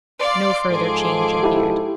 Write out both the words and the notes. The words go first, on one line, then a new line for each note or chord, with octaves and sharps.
No further change appeared.
D5 F5 C6 D6
G#2 F3 G#4 A4
E4 G4